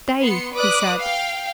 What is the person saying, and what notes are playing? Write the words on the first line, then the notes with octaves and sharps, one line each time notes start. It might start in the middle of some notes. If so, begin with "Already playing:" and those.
"Stay!" he said.
B3 C6 C#7
B4 D5 D6 D#6 F#6
F5 G5